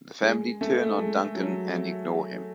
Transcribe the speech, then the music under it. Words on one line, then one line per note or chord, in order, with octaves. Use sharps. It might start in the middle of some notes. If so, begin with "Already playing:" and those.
The family turn on Duncan and ignore him.
G#3
A3
G#3
F#3